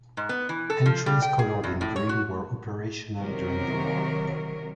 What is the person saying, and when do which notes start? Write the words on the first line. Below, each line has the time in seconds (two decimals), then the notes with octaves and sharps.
Entries coloured in green were operational during the war.
0.17 G#2
0.29 B3
0.49 E3
0.70 A4
0.86 F3
1.06 G3
1.22 G5
1.39 G#4
1.64 E2
1.81 A2
1.96 C#5
2.09 F#4
3.18 C3 D#3 F#3 A#4 C#5